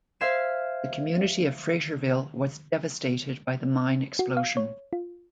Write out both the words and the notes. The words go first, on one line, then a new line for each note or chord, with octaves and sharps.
The community of Fraterville was devastated by the mine explosion.
C5 E5 F5 G#6 C7 E7
F#4
F5
C#5
F4